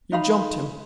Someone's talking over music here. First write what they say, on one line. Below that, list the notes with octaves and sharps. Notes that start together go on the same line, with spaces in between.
You jumped him.
D#4 F5 B5